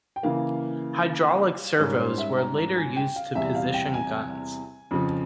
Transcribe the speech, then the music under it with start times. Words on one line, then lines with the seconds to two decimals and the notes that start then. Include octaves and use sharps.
Hydraulic servos were later used to position guns.
0.16 G5
0.23 C#3 E3 A#3 F5
1.79 G#2 G3 C#4 A#4
1.99 C5
2.18 E5
2.38 A#5
2.57 A#5
2.77 G#5
2.96 G5
3.16 F5
3.35 E2 C3 G3 E5
3.55 F5
3.74 G5
3.94 G#5
4.91 F2 C#3 F3